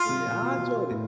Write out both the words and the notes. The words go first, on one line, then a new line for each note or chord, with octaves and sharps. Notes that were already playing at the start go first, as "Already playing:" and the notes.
Really, I enjoyed it.
Already playing: F4
C3
A#2
B2
B2
A2